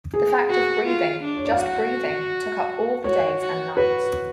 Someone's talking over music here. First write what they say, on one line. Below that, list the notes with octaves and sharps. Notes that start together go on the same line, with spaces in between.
The fact of breathing, just breathing, took up all the days and nights.
G#4
F#4
F4
D4
C#5
D5
F5
F#4 F#5
F#4 C#5
F#4
F#4 B4